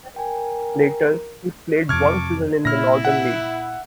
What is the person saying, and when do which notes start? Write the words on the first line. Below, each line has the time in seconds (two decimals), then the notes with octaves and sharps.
Later he played one season in the Northern League.
0.16 A#4 G5 G#5
1.89 F2 C3 A5 C#6 D6 F6 G#6
2.65 A#2 E4 F6 A#6
3.05 E5 F#5